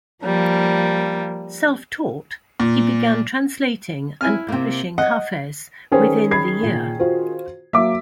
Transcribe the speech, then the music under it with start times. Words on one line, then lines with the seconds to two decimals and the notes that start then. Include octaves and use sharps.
Self-taught, he began translating and publishing Hafez within the year.
0.23 F3 G3 A#3
2.60 A#2
4.21 E4 G#5 F6
4.48 C3 A#3
4.98 D#5 F#5
5.92 D#3 C#4 G#4 B4 C5
6.31 B5 G#6 C7
6.63 A#2
6.99 F4 F#4 C5
7.73 F#3 A#3 E5 D6